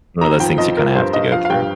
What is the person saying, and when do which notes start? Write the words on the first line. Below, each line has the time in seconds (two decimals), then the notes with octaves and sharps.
One of those things you kinda have to go through.
0.21 D#3 A#5
0.40 F2 G5
0.58 F2 D#5
0.77 F3 A#4
0.95 G2 C5
1.13 G2 D#5
1.32 F3 F5
1.45 F5
1.50 G2 G5